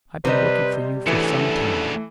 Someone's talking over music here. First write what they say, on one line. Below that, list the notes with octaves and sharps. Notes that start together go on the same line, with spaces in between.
I've been looking for you for some time.
C3 G3 B4 C5 D#5
D2 C#3 E3 A4 E5 C#7